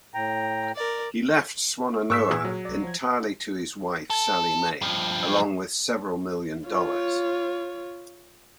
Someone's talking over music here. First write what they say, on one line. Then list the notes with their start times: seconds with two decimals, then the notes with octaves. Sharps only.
He left Swannanoa entirely to his wife, Sally Mae, along with several million dollars.
0.14 A2 G5 A#5
0.75 A#4 D5
2.10 G#2 C#6 E6 B6
2.30 A#2 G#4 G#6
2.45 F#3
2.65 C2 D5
2.83 F3 G#6
4.10 A4
4.82 G2 F3
6.68 F4 C#5